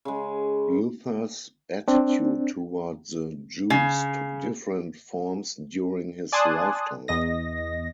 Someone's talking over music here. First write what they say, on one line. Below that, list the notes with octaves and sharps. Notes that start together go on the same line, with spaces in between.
Luther's attitude toward the Jews took different forms during his lifetime.
C#3 G#3
C4 D4
C#3
D5 G#5 A5 C6 D#6 F#6
E2 D#5 A#6